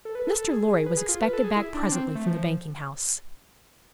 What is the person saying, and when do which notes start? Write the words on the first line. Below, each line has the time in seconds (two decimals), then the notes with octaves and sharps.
Mr. Lorry was expected back presently from the Banking House.
0.05 A4
0.15 B4
0.27 A4
0.38 A4
0.50 G#4
0.68 G#4
0.86 B4
0.97 G#4
1.09 F4
1.21 B4
1.33 A4
1.44 G#4
1.56 E4
1.74 D4
1.92 C4
2.15 A3
2.27 F3